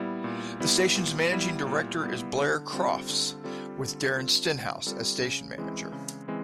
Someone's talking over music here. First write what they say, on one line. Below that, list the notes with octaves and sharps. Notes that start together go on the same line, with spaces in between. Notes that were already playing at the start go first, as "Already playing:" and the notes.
The station's managing director is Blair Crofts with Darren Stenhouse as station manager.
Already playing: A#2 G3 B3 E4
A#2
G3 B3 E4
A#2
G3 B3 E4
A#2
G3 B3 E4
D3
G3 C4 F4 A4
D3
G3 C4 F4 A4
D3
G3 C4 F4 A4
D3
G3 C4 F4 A4
C#3
E3 G#3 C4 E4
C#3
E3 G#3 C4